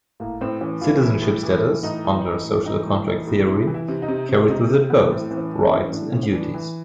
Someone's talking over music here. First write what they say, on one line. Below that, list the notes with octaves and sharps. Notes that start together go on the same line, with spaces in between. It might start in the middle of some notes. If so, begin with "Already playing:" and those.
Citizenship status, under social contract theory, carries with it both rights and duties.
A2 A#3
A2 C4
E3 C#4
E3 F4
E3 E4
A2
E3
E3
A2 D#4
E3
E3
A2
E3 D#4
A2
E3 D#4
A2
C3 E4
E3
E4
C3
D#4
C3
C3
C3 D#4
C3
E3 B3
A2 C4
E3 C4
C#4
E3
C#4
E3 C4
C#4
A2 D4
A2 C#4
C#4
E3 D4
E3